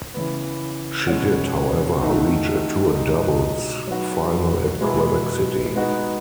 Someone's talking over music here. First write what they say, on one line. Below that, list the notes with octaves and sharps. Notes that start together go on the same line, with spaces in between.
She did, however, reach a tour doubles final at Quebec City.
C#3 E3 B3
B2 G#3 C#4 F#4
D#3 A3 D#4 F#4
B2 G#3 D#4
F#3 B3 D#4 F#4
B2 G#3 B3 E4 G#4
G#3 B3 D#4 F#4